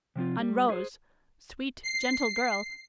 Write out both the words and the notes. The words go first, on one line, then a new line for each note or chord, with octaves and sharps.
On Rose, sweet, gentle girl!
C3 F3 C4 F4
G3
E4 G#4 C5
C7